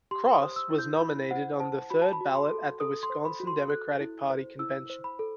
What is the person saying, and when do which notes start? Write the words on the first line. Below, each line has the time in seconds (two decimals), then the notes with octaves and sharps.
Cross was nominated on the third ballot at the Wisconsin Democratic Party Convention.
0.11 G4 C6
0.24 C6
0.34 D#6
0.41 C5
0.56 E6
0.71 E4
0.78 G6
1.01 E4 B5
1.31 C5 F#5
1.60 C5 A5
1.90 F#4 B5
2.02 A5
2.13 B5
2.21 F#4
2.35 C6
2.51 A4
2.80 A4 D#6
3.03 C6
3.10 C5
3.25 B5
3.40 F#4
3.47 C6
3.69 A4 F#6
4.00 E4
4.30 C5
4.59 E4 E6
4.90 C5
5.04 B5
5.19 A4